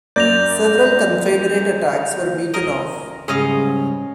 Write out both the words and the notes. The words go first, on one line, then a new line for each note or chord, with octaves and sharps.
Several Confederate attacks were beaten off.
F#2 A#3 D5 G6 A#6 F7
A#4 D#5
G#2 C#3 G3 C#4 G#4 D#5 F5